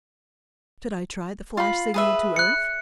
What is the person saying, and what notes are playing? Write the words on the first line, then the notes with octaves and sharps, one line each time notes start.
Should I try the flash signal to Earth?
F4 B5
G#4 B4 E5
F#6 C#7